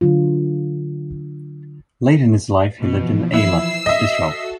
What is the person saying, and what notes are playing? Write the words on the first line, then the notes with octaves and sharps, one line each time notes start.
Late in his life, he lived in Eilat, Israel.
D3 F#3 F4
B2 E3 F3
E4 E6 C7
F#4 A4 D#5 E5